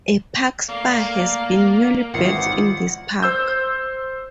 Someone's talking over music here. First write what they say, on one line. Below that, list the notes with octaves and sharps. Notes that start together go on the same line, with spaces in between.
A park-spa has been newly built in this park.
A3 A#3 D5 F5
G#1 D#3 E3 F4 F#5 C7
C5 E6 G6